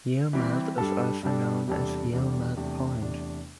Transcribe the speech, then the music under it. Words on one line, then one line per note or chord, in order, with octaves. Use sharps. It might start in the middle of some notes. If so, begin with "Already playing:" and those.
Yeomalt is also known as Yeomalt Point.
E3 G3 C4 G4
G2 G3 D4 A4
G2 G3 D4 A4
E2 C3 G3 D4 A4
E2 C3 G3 D4 A4
E2 C3 A3 D4
E2 C3 A3 D4